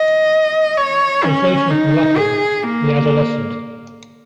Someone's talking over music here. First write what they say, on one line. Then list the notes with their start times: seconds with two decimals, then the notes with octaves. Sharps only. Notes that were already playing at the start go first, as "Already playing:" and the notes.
Translation from Latin: “the adolescent”.
Already playing: D#5
0.77 C#5
1.24 C#4
1.70 D#4
2.17 G#4
2.63 A#3